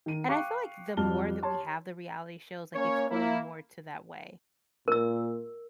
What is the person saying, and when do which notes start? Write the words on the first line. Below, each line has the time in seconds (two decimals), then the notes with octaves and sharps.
and I feel like the more that we have the reality shows, like, it's going more to that way,
0.06 D#3 D#7
0.28 F5 G5 C#6 D6 F#6 C7
0.97 F2 F#3 G3 A5 F6 G7
1.43 G4 C#5 A5 C6
2.75 A#3 C#4 C#5
3.10 A#3 E4
4.88 A#2 A#4 E6